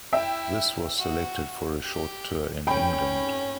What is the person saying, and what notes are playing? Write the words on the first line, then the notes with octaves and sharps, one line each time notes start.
This was selected for a short tour in England.
E4 E5 G5
F#4
G4
C#4 G5 B5